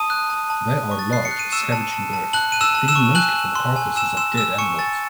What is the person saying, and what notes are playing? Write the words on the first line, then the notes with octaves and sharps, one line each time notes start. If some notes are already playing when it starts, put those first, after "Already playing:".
They are large scavenging birds, feeding mostly from carcasses of dead animals.
Already playing: A5 D#6 D#7
F#6
A5
A5
A5
C#6
A6
F#6 C7
C#7
F#6
D#7
C#6 E6 E7
A5
A5
A5
A5 F#6 F#7
F#6 D#7
E6 E7
A5
E6 E7
C#6
G#5 F#6 F#7
F#6
C6
G#5
G#5 E6 E7
C6 E6 E7
G#5 E6 E7
G#5 C#6 C#7
G#5 A6